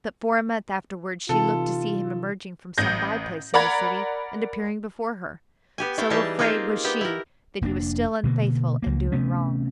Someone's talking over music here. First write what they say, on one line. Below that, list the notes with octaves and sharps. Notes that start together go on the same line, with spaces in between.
But for a month afterwards, she looked to see him emerging from some by-place in the city, and appearing before her; so afraid was she that he was still unfaithful, and doing wrong.
C3 E3 D#4 F4 A4
A1 G6 A#6
A#4 D5 F#5 A#5 B5 G#6
B3 G4 G#5
A3 E4 F5 G5
E3 G3 D#4 G4 G#4 A5
A#3 C4 D#4 F4 G4 G#4
B3 G4 G5
E4 A#4
F1 A#3 C#4 D4
B2 D3 A#3
C#2 A#3
C3 A3 B3 C#4